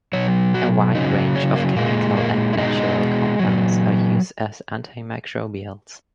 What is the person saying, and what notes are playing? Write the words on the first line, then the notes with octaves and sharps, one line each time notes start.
A wide range of chemical and natural compounds are used as antimicrobials.
B2 F#3 C#5
F#4
C#3 F#3 D#4
C#4
A#3
A#2 G#3 A#3
A#3
E4
B2 G#3 D#4
A#2 F#3